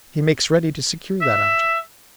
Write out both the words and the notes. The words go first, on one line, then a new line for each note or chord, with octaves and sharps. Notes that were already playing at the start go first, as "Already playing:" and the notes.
He makes ready to secure that object.
E5